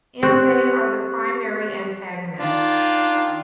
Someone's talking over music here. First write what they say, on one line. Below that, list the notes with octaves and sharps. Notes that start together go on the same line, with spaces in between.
In they are the primary antagonists.
C4 G4 C#6 F#6
D#3 D4 F4